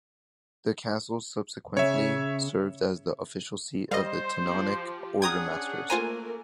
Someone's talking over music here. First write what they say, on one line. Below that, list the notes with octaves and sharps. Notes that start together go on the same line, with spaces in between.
The castle subsequently served as the official seat of the Teutonic Order Masters.
C#3 C#5 E5
G3 C5 D#5 F5
F3 G4
C#4 D4 G#4 F#5 G5 A#5 D#6 G#6
A3 A#3 F4 A#4 C5 G#5 A#5